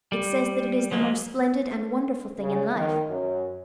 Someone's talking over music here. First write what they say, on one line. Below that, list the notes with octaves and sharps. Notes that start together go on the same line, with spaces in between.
It says that it is the most splendid and wonderful thing in life.
G3
F3 F#3 G#3 A#3
C#3
D#3
F#2